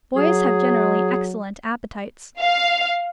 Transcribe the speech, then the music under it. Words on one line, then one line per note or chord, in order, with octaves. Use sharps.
Boys have generally excellent appetites.
F#3 G#4
F5